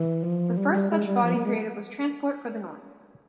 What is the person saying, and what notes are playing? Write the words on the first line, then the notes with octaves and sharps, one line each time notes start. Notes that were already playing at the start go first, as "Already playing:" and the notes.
The first such body created was Transport for the North.
Already playing: E3
F3
G3
G3
G#3
G3
F3
A#3
G#3